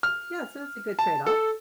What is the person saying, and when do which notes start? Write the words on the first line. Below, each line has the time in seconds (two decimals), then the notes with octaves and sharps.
Yeah, so it's a good trade-off.
0.03 F6
0.99 A5
1.26 A4